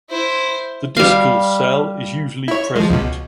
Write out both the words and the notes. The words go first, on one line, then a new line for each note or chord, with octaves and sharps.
The discal cell is usually present.
E4 C5
G3 F5
E4 C#5
F3 G#3
C#2 B2